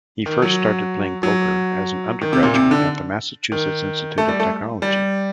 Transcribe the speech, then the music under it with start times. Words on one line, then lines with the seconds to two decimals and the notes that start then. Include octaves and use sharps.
He first started playing poker as an undergraduate at the Massachusetts Institute of Technology.
0.26 D#3
0.42 F#3
1.23 F#3
2.21 D#3
2.33 C3
2.43 A#2
2.54 C3
2.71 D3
3.52 D#3
4.18 A3
4.28 G3
4.40 A3
4.82 G3